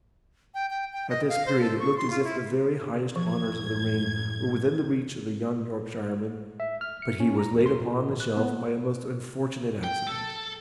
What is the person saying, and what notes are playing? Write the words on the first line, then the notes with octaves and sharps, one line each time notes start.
At this period it looked as if the very highest honours of the ring were within the reach of the young Yorkshireman, but he was laid upon the shelf by a most unfortunate accident.
G5
G5
G5
D#5
F5
C5
A4
C#6
C6
F4
E4
A1 F#2 E3 F3 G#6
E5
F6
C#7
C#4
A#5
E2
C6
A#2
G#1
F#6
B3
A#3
G5
A4